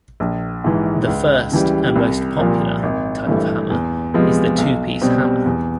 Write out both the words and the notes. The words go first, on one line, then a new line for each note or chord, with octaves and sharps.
The first, and most popular, type of hammer is the two piece hammer.
A#1
G#2 E3
C#2
C#3 E3 G3
C2
A#2 F3
G#1
G2 E3 A3
E2
C3 F3 G#3 B3
B1
B2 G3 C4
E2